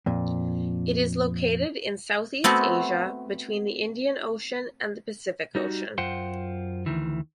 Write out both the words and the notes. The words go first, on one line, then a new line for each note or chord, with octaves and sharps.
It is located in Southeast Asia between the Indian Ocean and the Pacific Ocean.
F2 A#2
A3 B3 C4 F#4
G3 D#4 F#4
F#2 F4 C5 F#5 G5 C6
D2 D#3 E3